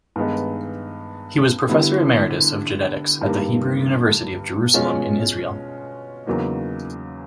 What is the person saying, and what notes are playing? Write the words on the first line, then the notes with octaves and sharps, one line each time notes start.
He was professor emeritus of genetics at the Hebrew University of Jerusalem in Israel.
G2 D#3 G#3 B3 D#4
D3 G3 B3 E4
G2 D#3 G3 A#3
B2 G#3 C#4 F4
E2 C#3 F#3 A#3 D#4